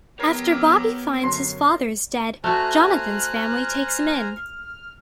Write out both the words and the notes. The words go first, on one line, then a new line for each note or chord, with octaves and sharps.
After Bobby finds his father is dead, Jonathan's family takes him in.
B3 G4 A#4 C#5 A#5 G#6 C7
D6 E6
F#2 D3 C6
A3 F#4 C5 G#5 A#5 F6 F#6